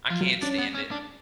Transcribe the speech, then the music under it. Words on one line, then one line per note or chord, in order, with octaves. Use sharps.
I can't stand it.
F3 F4
F#3
C#4 D4
B3
C#4
D4